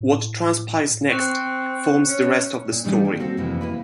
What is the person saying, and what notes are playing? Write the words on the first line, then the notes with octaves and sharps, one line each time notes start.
What transpires next forms the rest of the story.
A2
C4 C#6 F#6 C#7
C#4
A#2
D#3 E3 G3 A3 D4 D#4
A#3 G4
A#3 C4 F#4 A4
F2 C3 E3 A3 A#3
A#3 E4 B4